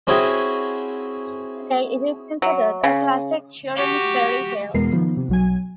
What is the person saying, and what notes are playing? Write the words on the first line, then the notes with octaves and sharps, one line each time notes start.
Today it is considered a classic children's fairy tale.
C4 C#4 E4 F#4 G#4 G5
F#3
C#3
F#4 G4
E2 B2 G#3 B3 A#4 C7
D#3 F3 B3
C3
B1 F#3 G#5